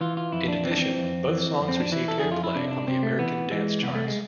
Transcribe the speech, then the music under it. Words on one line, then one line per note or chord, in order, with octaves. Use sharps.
In addition, both songs received airplay on the American dance charts.
E3 F4
F4
F2 E4
D4
E3 C4
D4
C4
F2
E3
F2
C4
D4
E3 E4
A4
F2 G#4
F4
E4
C3 D4
D4
C3 C4
A3
E3 B3
E3 G#3
C2 B3
A3
G#3